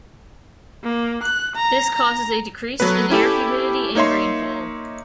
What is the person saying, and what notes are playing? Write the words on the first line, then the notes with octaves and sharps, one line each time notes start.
This causes a decrease in air humidity and rainfall.
A#3
F#6
A#5
A#5
F#3 A3 B3 B4
C#4 E4 G4 A4
A#3 D#4 C#5 E5 C6